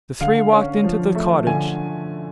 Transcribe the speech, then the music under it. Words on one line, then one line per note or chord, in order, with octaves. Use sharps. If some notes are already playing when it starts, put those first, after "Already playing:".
The three walked into the cottage.
D3 F5
C#4
F3
A3
D3 G#5